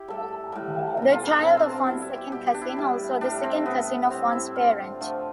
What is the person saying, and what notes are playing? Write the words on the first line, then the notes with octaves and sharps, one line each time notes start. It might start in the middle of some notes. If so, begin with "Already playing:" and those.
The child of one's second cousin; also the second cousin of one's parent.
Already playing: E4 G4
A2 G3 A4
A2 G3
B2 G3
F4
D4
B2 G3 C4
C4
C4
B2 G3 E4
E4
G4
B2 G3 G4
G4
D4
E4
A2 G3
A2 G3 D4
C4
A2 G3 B3
A2 G3 C4
E4
D3 F3 A3 F4
D3 F3 A3